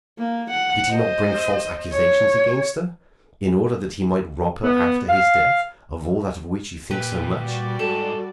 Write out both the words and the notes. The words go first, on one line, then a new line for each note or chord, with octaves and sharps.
Did he not bring false accusations against her, in order that he might rob her after his death of all that of which you think so much?
A#3
F#5
C5 D#5
C#5
B3
F5
A#2 G4 B4
G3 F#4 D5
G#2 A4